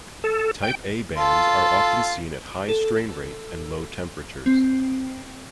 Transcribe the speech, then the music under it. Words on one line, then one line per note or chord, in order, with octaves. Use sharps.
Type A bands are often seen at high strain rate and low temperatures.
A4
G5
F4 A4 C6
A4
C4